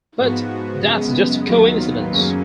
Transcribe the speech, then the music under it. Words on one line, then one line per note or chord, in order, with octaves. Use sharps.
But that's just a coincidence.
G#2 F3 B3 F#4
F#2 C#3 G#3 B3
D#2 D#3 F#3 B3 F4
F#2 C#3 F#3 A#3 C#4